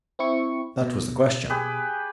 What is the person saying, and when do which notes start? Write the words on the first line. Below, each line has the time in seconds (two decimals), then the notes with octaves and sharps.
That was the question.
0.19 C4 E4 C#6
0.81 B2
1.49 G4 G#4 B4